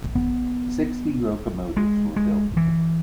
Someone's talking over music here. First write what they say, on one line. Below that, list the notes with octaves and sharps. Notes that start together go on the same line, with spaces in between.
Sixty locomotives were built.
B3
G#3
G#3
E3